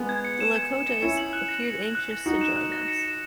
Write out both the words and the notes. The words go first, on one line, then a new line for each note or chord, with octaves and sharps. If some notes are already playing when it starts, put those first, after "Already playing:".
The Lakotas "... appeared anxious to join us".
Already playing: G#3 B3
G#6
C#7
E7
G#6
G#6
C#7
C#4 E4 C#7
F#7
F#6
A#6
C#7
F#7
F#6
A#6
D#4 F#4 C#7
E7
F#6
A#6
C#7
E7